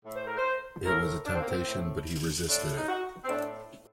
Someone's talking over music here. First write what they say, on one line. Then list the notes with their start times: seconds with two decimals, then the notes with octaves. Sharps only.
It was a temptation, but he resisted it.
0.05 A2
0.15 C5
0.25 A#4
0.36 C5
0.86 A2 A#4
1.26 D4
1.34 C4
1.40 A#3
1.48 C4
1.67 A2
2.47 A2 D4
2.77 D#4
2.88 F#4
3.24 C4
3.28 A2 D4